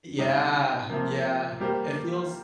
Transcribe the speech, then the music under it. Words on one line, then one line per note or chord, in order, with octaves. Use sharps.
Yeah, yeah, it feels
C3 G3 D#4
C3 F3 A#3
G3 A#3 G4 C5